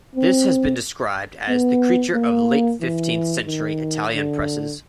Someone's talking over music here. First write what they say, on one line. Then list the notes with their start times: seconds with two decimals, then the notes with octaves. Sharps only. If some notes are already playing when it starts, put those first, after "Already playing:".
This has been described as "the creature of late-fifteenth-century Italian presses".
0.16 C4
1.49 B3
2.14 A#3
2.81 E3
3.47 D#3
4.14 D3